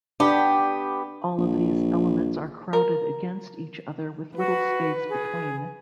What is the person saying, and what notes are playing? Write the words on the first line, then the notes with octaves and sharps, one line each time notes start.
All of these elements are crowded against each other with little space between.
B3 D4 G4
A#1
A#4
F#4 B4
G#4